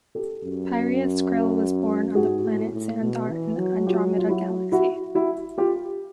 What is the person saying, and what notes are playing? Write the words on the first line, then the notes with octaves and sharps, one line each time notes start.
Pyreus Kril was born on the planet Xandar, in the Andromeda Galaxy.
G4 A4
F#2
G#2 F#4 G#4
A2
A2
B2
E3
F#3
F4 G4
F4
E4 F#4
E4 F#4
E4 F#4
F4 G4